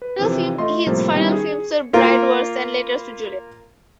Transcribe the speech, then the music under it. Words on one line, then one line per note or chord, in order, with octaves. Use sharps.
His final films were "Bride Wars" and "Letters to Juliet".
B4
C3 E3 F3 C4
A3 F4 D#5 C6
A2 C3 F3 G3 A#3
D#3 G3 B3 C#4 D#4 E4
G#4
A#3 F4 A#4